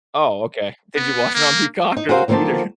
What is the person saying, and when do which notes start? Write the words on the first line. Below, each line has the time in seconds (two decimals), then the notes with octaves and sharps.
Oh, okay. Did you watch it on Peacock or the theater?
0.95 B3
1.34 A#3
1.97 D#4
2.09 F#4 G#4 A#4 C5 F5
2.28 D3 D#3 F3 A#3 C5 A5